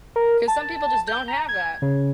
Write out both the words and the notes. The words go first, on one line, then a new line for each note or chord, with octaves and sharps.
'cause some people, just, don't have that.
A#4
A5
G6
A#5
G#6
C#3